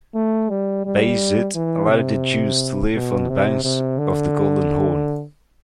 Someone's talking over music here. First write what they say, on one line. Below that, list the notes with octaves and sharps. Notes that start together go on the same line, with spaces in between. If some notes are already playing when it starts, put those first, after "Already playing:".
Bayezid allowed the Jews to live on the banks of the Golden Horn.
A3
G3
G3
E3
C3
B2
C3
C3
D3